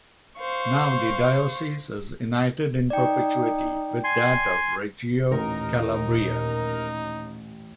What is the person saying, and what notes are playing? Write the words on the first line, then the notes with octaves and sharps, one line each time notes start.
Now the diocese is united in perpetuity with that of Reggio Calabria.
C5 F5 C#6
D#4 D5 G5
G#5 C6
A1 D#2 A#2 D#4 A#4